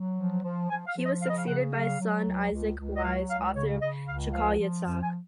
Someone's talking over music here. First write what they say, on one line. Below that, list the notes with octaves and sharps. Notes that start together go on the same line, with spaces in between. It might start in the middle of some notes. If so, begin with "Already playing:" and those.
He was succeeded by his son, Isaac Weiss, author of "Chakal Yitzchak".
Already playing: F#3
F3
F3
F3 G#5
F5
F3
D#5
C#3 F5
D#5
F5
C#3 F#5
F#3 F5
F#3
C#2
C#2
C#2
D#5
F#3 F5
C#2 F5
C#3 C#5
C#3 D#5
C#2 F5
F3 F5
F3
F2
G#5